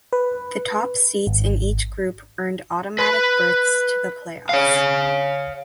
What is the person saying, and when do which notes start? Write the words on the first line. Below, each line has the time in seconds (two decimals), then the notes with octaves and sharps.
The top seeds in each group earned automatic berths to the playoffs.
0.13 B4
1.27 G#1
2.99 B4 B5
4.49 C#5 F5